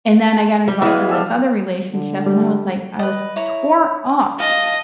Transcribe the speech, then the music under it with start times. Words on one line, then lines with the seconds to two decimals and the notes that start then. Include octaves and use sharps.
And then I got involved in this other relationship, and I was like, I was tore up
0.68 G3
0.82 E3 G#3 B3 F5
1.09 G3 A4 F5
1.91 D3
2.26 G3
2.99 B4 D#5
3.36 E4 C#5 A#5
4.40 D#5 F5 A5